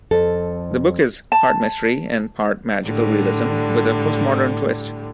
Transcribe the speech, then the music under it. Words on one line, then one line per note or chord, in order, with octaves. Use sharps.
The book is part mystery and part magical realism with a postmodern twist.
F2 A4
A5
A2 D3 G3